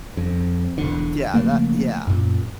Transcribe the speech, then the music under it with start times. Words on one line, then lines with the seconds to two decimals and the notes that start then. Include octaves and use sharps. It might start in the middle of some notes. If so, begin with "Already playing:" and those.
D yeah, that yeah.
0.17 F2
0.78 E1 D3
1.34 C#3 F3 A3 A#3
2.07 F#2 A#2